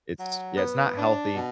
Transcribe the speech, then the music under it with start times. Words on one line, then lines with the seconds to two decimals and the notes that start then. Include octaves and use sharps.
It's Yeah, it's not healthy.
0.18 F#3
0.57 B3
0.96 D4
1.35 B2